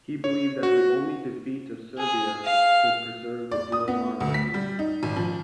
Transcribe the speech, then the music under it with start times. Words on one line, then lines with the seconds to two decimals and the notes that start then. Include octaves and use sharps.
He believed that only the defeat of Serbia could preserve the Dual Monarchy.
0.24 C#5
0.63 F#4
1.98 G#4
2.44 F5
3.51 D5
3.72 D#6
3.88 B3
4.20 D2
4.34 B6
4.54 G3
4.79 D#4
5.03 G#1
5.16 F3